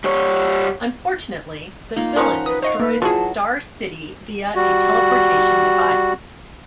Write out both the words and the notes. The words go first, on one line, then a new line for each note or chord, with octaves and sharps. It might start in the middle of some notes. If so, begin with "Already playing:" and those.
Unfortunately, the villain destroys Star City via a teleportation device.
G3 C#5
A#3 D#4 F4
D#3 F3 C#4 F#5 A#5 B5
B4 D#6
C5 D#5 F5 F#5 C#6
A#3 B4
E3 F#3 F4 F#4 G#4 A5
G3 F#4